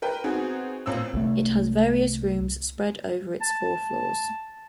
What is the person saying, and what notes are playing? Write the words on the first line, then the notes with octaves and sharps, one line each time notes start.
It has various rooms spread over its four floors.
A#4 B4 G5
B3 C4 D#4 F#4 G#4
A1 A#2 C4 E6
C2 A3
A5